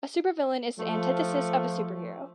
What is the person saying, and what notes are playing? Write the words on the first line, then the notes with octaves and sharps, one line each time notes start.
A supervillain is the antithesis of a superhero.
F3 A3